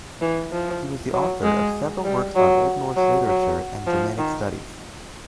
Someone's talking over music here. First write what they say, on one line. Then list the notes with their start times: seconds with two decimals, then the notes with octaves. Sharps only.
He was the author of several works on Old Norse literature and Germanic studies.
0.22 E3
0.53 F3
1.13 F#3
1.43 G#3
2.04 G3
2.35 F#3
2.96 F#3
3.27 F#3
3.87 F3
4.18 D#3